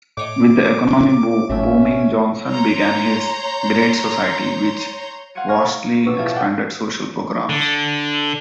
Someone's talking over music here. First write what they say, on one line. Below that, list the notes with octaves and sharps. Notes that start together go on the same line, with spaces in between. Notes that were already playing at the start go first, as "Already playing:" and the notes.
With the economy booming Johnson began his "Great Society" which vastly expanded social programs.
A2 C#5 D#5 D6
G#1 A2 A3 C#4 E5
C#5 A#5 C6 G6
F5 F#5 C6 G#6 C#7 D#7
A#5 C#6 F6 G#6
A1 B2 C#5 D5 E6
E4 F4 G#4 E5 F5 A5
D5 F#5 G5
D3